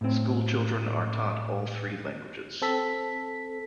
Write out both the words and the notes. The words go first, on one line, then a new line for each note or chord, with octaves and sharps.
School children are taught all three languages.
A2 C4
C4 A4 B6